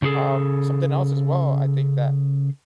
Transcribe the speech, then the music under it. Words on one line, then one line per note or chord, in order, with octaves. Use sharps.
Um, something else as well, I think that
C#3 C#4 F#4 G#4 A4